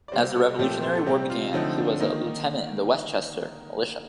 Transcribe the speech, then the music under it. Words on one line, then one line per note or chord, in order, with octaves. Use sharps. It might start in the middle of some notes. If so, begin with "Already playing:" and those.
As the Revolutionary War began, he was a Lieutenant in the Westchester militia.
D5
C3 G3 C4 C5
A4
A#2 F3 A3 C4 G4
C5
A4
C3 G3 C4 G4
F4
D3 F3 A3 C4 D#4
D4
D#3 A#3 D#4